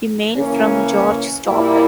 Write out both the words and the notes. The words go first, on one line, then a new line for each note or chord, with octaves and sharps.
The mail from George stopped.
C#3 E3 A#3 C#4
A#2 G3 A#3 E4